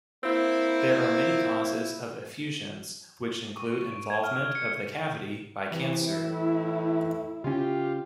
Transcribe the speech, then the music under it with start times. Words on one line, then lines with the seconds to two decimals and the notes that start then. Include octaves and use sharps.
There are many causes of effusions which include involvement of the cavity by cancer.
0.24 A#3 C4 E4
3.57 C#6
3.71 C#6
3.92 D7
4.10 G#6
4.24 F6
4.55 C#7
5.71 C3 E3 E4
6.23 A2
7.44 C#3 C#4 F4 G4